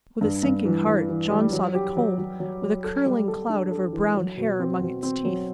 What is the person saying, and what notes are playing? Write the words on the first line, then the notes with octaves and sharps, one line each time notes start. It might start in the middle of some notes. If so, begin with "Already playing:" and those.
With a sinking heart John saw the comb with a curling cloud of her brown hair among its teeth.
G2
G2
E3
E3
E3
G3
F#3
G4
F#3
F#3
F#3
F#3
A4
G3
A4
D4
A4
E3
F#3
B2
C4
B2
C4
F#3